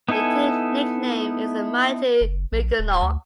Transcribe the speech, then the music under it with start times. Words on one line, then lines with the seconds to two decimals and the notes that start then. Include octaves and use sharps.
The team nickname is the Mighty Mikinocks.
0.09 B3 D#4 E4 A4 G#5
2.21 F#1
2.52 A#1
2.79 D1
3.02 D2